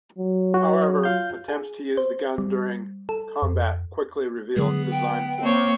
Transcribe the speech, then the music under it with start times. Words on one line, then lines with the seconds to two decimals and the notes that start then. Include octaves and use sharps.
However, attempts to use the gun during combat quickly revealed design flaws.
0.18 F#3
0.54 F#4
1.04 F4 F5 G6
1.48 G#4
1.97 C5
2.38 G3
3.09 A4
3.42 F2
4.56 D3 F#3 G#3 B3 G#4
4.91 G5
5.41 A#3 C4 C5 C#5